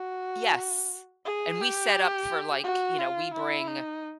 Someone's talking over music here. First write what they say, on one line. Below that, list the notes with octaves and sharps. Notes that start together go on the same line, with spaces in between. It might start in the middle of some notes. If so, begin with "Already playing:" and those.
Yes, and we set up for, like, you know, we bring
Already playing: F#4
G#4
G4
F#4
F4
E4
D#4